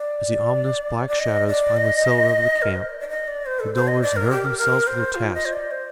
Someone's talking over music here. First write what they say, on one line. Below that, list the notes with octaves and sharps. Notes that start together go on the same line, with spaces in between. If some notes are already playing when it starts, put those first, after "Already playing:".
As the ominous black shadows finally settled over the camp, the Delawares nerved themselves for their task.
Already playing: D5
D5
D#5
D5
D#5
A#4
C5
D5
D5
D#5
D5
C5
A4
C5
D#5
D5
A#4
G4
A#4
A#4
C5
F4
D#5
C5
D5
C5